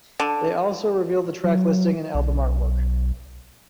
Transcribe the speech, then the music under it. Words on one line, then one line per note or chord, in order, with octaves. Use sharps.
They also revealed the track listing and album artwork.
D3
F#3
B1